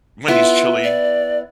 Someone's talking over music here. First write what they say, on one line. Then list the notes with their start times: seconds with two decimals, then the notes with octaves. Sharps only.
Wendy's chili,
0.28 B3 E4 F4
0.84 D5